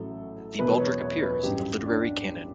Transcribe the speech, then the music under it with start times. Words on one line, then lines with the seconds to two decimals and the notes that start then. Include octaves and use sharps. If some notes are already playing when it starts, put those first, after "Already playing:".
The baldric appears in the literary canon.
Already playing: A1 A2 F#3 A4
0.59 E1 E2 B2 F#3 B4
0.80 C#5
1.00 C#5
1.23 B4
1.43 A1 G2 F#3 G4
1.85 D4